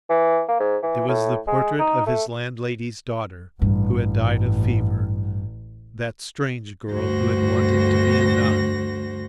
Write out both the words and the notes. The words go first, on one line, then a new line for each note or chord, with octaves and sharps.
It was the portrait of his landlady's daughter, who had died of fever, that strange girl who had wanted to be a nun.
E3
A#3
G#2
E3
A2
G#3
D#4
A3
A1 G2
D2 G2 F#4 C5 A#6